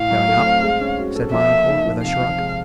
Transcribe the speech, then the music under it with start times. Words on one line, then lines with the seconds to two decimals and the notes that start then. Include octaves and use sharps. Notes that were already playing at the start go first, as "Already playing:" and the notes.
"Going up!" said my uncle, with a shrug.
Already playing: A2 F5
0.10 F#3
0.28 A3
0.45 C4
0.63 G#3
0.81 C#4
0.99 F#4
1.16 A4
1.33 F3 E5
1.51 A#3
1.68 D#4
1.86 F3
2.03 C3 F5
2.21 F3
2.38 G#3